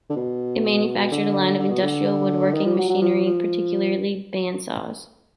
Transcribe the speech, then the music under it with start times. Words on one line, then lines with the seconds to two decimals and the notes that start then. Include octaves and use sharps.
It manufactured a line of industrial woodworking machinery, particularly band saws.
0.10 D3
0.16 B2
1.11 D3
1.59 D3
1.70 B2
1.82 D3
2.54 D#3
2.65 F3
2.78 F#3
2.89 F#3
3.01 F3
3.26 F3